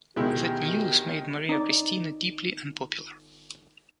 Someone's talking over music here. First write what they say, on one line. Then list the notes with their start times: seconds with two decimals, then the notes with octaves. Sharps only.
That news made Maria Christina deeply unpopular.
0.16 D2 B2 D#3 G#3 E4 G4
1.49 D#4 D5